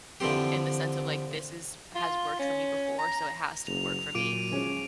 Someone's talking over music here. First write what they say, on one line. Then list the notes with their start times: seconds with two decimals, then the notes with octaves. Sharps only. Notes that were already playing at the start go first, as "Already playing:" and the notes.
in the sense of, like, this is has worked for me before, so it has to work for me
0.20 D3 E3 F3 C4 G4
1.95 F4
2.39 C#4
2.99 A#5
3.67 F#1 F7
4.15 A#2 F#3 D6 D7 D#7
4.51 F3 G#3 C#4